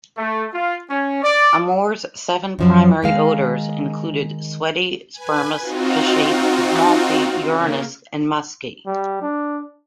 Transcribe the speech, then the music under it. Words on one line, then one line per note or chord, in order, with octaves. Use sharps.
Amoore's seven primary odors included sweaty, spermous, fishy, malty, urinous and musky.
A3
F4
C#4
D5
F#2 F3 F#3
D#3 G#3 F5
B4 G#5
C4 D#4 F4 F#4
C#3 A#3
G3
D4